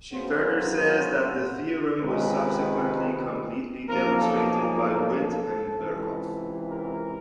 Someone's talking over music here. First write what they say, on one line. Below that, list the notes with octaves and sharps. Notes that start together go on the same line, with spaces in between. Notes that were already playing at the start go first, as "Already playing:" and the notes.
She further says that the theorem was subsequently completely demonstrated by Witt and Birkhoff.
F#2 C#3 F#3 B3 C5
C#2 C3 D#3 G#3 B4
B1 A#2 F3 A#3 A#4
A4
G#4
A4
C#2 C3 E3
A#4